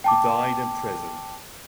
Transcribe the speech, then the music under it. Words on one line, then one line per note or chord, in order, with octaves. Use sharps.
He died in prison.
G5 A5 D6